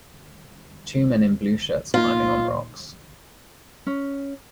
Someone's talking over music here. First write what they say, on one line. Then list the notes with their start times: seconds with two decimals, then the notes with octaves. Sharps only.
Two men in blue shirts climbing on rocks.
1.94 A#2 D#4 F4 C6
3.87 C#4